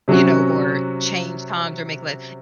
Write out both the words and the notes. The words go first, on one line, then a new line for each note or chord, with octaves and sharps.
you know, or change times or make like
C3 F#3 C#4 F#4